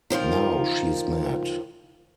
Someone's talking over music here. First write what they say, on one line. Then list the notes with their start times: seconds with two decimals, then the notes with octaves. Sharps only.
Now she's mad.
0.10 D#3 F3 F4 A#4